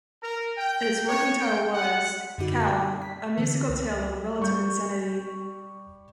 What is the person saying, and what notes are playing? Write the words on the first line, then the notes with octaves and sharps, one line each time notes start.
Its working title was "Cal: A Musical Tale of Relative Insanity".
A#4
G5
C#5
G5
F#5
F#2 B2 D3 D#4 F#4
B6
D3 E3
C#2
G3 C#6 G6